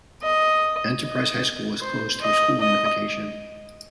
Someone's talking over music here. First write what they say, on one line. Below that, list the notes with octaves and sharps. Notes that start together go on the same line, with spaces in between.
Enterprise High School was closed through school unification.
D#5
D#5
C5
D#5
D#5